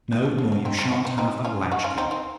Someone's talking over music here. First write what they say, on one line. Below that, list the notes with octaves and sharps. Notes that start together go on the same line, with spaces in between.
No: nor you shan't have a latchkey.
D#3
F3
F3
F#3
C4 D#4
C4 D#4
C#4 F4
C4 D#4
C4 D#4
C#4 F4
D#4 F#4
C#4 F4
C4 D#4
C4 D#4